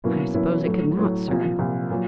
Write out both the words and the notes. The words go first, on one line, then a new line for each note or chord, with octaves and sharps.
"I suppose it could not, sir."
B2 F#3 A#3 C#4 E4
B2 F#3 A#3 C#4 E4
A2 F#3 A3
A2 F#3 A3
C2 A#2 F3
C2 A#2 F3
A#2 F#3